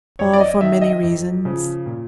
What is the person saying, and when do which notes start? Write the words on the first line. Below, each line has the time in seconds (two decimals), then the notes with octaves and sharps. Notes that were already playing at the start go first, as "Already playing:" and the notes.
"For many reasons."
0.19 F#2 C#5
0.33 D5
0.40 D#5
0.61 D#3 E5
0.81 D#5
1.03 F2
1.45 C#3 F3
1.86 A#2